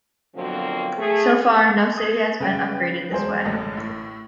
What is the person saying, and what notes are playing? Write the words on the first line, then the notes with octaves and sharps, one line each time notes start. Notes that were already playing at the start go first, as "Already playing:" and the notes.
So far no city has been upgraded this way.
B2 D3 F3 F#3 A#3 C4
A3 G#4
D#6 G#6
C#3 B4 G5
E1 G#4 C5
A1 G2 D3 G#3
A2